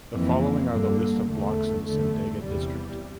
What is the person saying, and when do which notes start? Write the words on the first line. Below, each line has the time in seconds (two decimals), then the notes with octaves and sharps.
The following are the list of blocks in Simdega district.
0.12 F2 E3 A#3
0.70 G2 D3
1.28 E2 D3 A3
1.86 E2 D3 A3
2.43 E2 C3 E3 G3